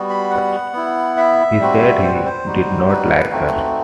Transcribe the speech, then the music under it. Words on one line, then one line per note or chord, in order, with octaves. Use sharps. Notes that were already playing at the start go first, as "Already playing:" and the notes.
He said he did not like her.
Already playing: G3 B3 F#4
B5
F#5
B3 E4
E5
G3 C4 F#4
C5
B4
C5
G3 D#4 F#4
B4
A3 C4 D#4 F#4